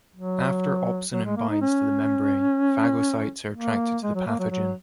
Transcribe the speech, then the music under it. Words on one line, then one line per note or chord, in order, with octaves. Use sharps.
After opsonin binds to the membrane, phagocytes are attracted to the pathogen.
F#3
F#3
G#3
A#3
D#4
C#4
A#3
G#3
F#3
A#3
F#3
F#3